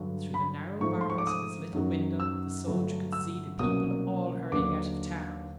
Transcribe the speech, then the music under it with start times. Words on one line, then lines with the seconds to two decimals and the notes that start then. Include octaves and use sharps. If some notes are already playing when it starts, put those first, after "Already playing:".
Through the narrow bars of his little window the soldier could see the people all hurrying out of town.
Already playing: G2 D3 F#3
0.34 B5
0.81 G#2 F3 A3 C#6
1.01 C6
1.10 C#6
1.18 D6
1.27 D#6
1.73 F#2 D#3 F#3
2.20 E6
2.66 G2 D3 F#3 A3
3.12 E6
3.59 C2 B2 F#3 A#3 C#4 D#6
4.52 D#2 D3 F#3 B3 D4 D6